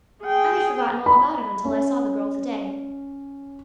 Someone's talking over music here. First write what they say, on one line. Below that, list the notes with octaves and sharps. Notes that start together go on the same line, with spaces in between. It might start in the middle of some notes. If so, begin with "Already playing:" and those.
I had forgotten all about it until I saw the girl today.
G#4 G5
B5
C#4